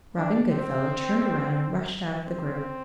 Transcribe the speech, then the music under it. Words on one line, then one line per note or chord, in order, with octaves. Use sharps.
Robin Goodfellow turned around and rushed out of the group.
D4
C4
C4